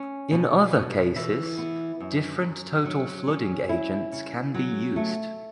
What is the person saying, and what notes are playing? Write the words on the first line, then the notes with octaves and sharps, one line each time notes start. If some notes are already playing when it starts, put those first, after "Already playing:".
In other cases, different total flooding agents can be used.
Already playing: C#4
B2
B2
E3
B3
F#2
F#2
F#3
C#4
E4
C#3
F#3
A3